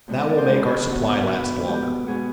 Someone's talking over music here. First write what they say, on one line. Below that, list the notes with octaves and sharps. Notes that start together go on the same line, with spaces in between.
That will make our supply last longer.
F2 D3 G#3 B3
D#5
D5
C5
F2 D3 G#3 B3 B4
B2 B3
B2 B3 B4
B2 G#3 B3 G4
B2 G#3 B3 G#4